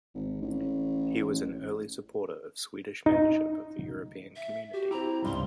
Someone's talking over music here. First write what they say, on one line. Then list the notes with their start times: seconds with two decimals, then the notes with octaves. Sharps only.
He was an early supporter of Swedish membership of the European Community.
0.15 G#1
0.42 A1
1.34 A1
3.06 D#4
4.36 E5
4.74 F#4 G4
4.91 C4 E4 G4 A#5
5.24 C#2 G2 C3 G3 C6